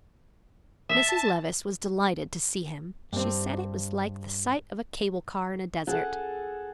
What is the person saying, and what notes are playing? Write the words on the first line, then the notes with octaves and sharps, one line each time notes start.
Mrs. Levice was delighted to see him; she said it was like the sight of a cable-car in a desert.
E5 A5
G2 C4
G#4 A4 F#5